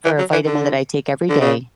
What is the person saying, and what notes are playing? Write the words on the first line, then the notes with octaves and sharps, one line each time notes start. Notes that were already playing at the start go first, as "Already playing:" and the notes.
for a vitamin that I take every day,
E3
F#3
E3
D3
D3
C#3